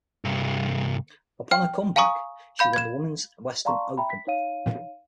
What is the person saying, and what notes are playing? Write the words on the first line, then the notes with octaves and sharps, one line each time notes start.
Upon her comeback, she won the Women's Western Open.
C2 G2
G5 F6
F5 G#5 A#5 C#6 D#6
F5 B5 G6
G#6 E7
D5 F5 A5 A#5 C6 C#6
E5 G5 A#5 B5
B6
D#4 C#5 F5 D#7